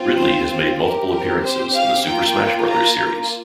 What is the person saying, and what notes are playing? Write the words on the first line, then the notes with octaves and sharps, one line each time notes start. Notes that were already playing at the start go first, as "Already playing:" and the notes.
Ridley has made multiple appearances in the "Super Smash Brothers" series.
Already playing: C4 F4
C5
C4 G4 A#4
A#4
C5
F5
A#3 F4 G5
A#5